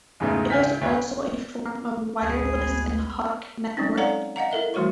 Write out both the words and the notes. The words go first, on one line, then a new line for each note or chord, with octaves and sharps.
It is also a form of wireless ad hoc network.
E2 G#2 C#3 E3 A3 D#4
C#2 E4 G#5 F6 G6 B6
D2 A3 B4 C#5
A1 D2 G#3 B3 G#4
F#3 G#3 C4 C#4 D#4
A4 C#5 D5 F5 F#5 A#5
D#5 F5 F#5 A#5
E4 A4 A#4 E5
E3 G3 A3 F#4 C#5 C#6